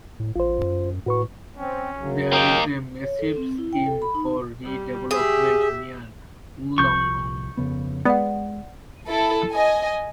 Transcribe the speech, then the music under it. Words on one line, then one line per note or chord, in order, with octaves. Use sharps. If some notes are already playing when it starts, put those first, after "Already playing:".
There is a massive scheme for redevelopment near Wollongong.
A2
A1 F4 C5
F#2
A2 F#4 B4 C#6
C4 C#4
F#2 C#3 F#3
A#3 D#4 G5
C#5
A4
C4
E4
G5
A4
B5
D#4
G3
G4 G#4 E5
C2 F3 C#6 G6
F2 C#3 B3
G#3 B3 D5 F#5
E4 A4
D#5 G#5